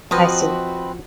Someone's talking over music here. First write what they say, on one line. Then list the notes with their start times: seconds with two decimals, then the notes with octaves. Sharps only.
I see.
0.11 F3 C4 F#4 B4 D#5